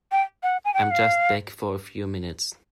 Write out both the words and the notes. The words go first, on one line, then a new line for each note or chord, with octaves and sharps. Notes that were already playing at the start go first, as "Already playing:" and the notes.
I'm just back for a few minutes.
G5
F#5
G#5
G5
F#5
F5